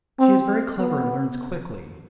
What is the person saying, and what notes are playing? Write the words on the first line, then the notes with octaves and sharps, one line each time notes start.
She is very clever and learns quickly.
C4
B3